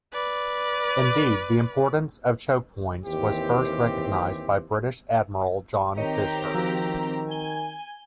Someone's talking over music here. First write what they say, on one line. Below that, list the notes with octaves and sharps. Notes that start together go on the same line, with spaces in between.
Indeed, the importance of choke points was first recognised by British Admiral John Fisher.
B4 D5
D#2 E3 C4 G4
D#3 C4 G4 C#5 D#5 A#5
F3 F#4 E6
G#5 G7